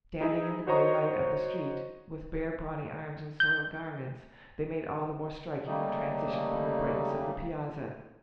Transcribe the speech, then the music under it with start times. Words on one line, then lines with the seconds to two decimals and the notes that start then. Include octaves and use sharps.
Standing in the grey light of the street, with bare brawny arms and soiled garments, they made all the more striking the transition from the brightness of the Piazza.
0.21 D#4 E4 G#4
0.67 F#4 C5 C#5 D#5 A#5 C#6
3.40 G6
5.65 C#3 G3 A3 A#3 D#4